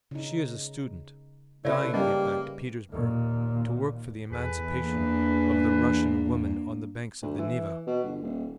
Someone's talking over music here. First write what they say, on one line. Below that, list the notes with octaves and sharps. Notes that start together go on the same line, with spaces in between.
She is a student, dying to get back to Petersburg, to work for the emancipation of the Russian woman on the banks of the Neva.
C#3 D#4
C#3 A3 E4 B4 D5 E5
G3 A#3 C#4 D#4 D#5
D#2 A#2
E2 G#4 A4 B4
A#3 D4
D2
E3
B2
G1
D#1